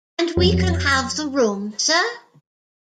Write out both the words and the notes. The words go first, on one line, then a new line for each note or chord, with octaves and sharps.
And we can have the room, sir?
F2 F#3